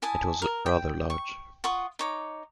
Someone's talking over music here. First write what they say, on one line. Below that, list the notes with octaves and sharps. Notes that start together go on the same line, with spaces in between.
It was rather large.
E4 G#5 A5 D#6
A#4
G5
C#6
F4 F#5 C#6 D#6
D#4 C#5 D6